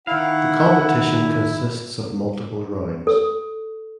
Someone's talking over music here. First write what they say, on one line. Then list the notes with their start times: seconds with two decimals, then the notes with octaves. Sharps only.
The competition consists of multiple rounds.
0.07 D#3 E4 F5 F#5
3.07 A4